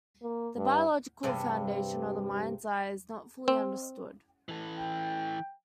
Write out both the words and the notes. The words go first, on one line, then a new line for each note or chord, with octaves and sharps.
The biological foundation of the mind's eye is not fully understood.
A#3
G2
E2 G2 C3
C4
E3 A4
G5